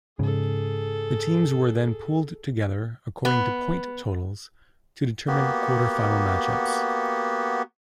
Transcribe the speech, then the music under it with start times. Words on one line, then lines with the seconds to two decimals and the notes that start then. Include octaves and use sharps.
The teams were then pooled together, according to point totals, to determine quarter-final match-ups.
0.19 G#2 C#3 G#4 A4
3.25 B3
5.28 A#3 B3 F#4 G4